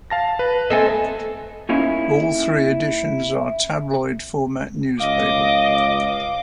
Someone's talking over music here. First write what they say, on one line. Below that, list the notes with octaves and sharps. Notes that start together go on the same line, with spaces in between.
All three editions are tabloid format newspaper.
F5 A5 A#6
B4
A3 C4 A4 D#5 G#5
A#3 C#4 D#4 E4 F5
C#2 D#5 F5 D6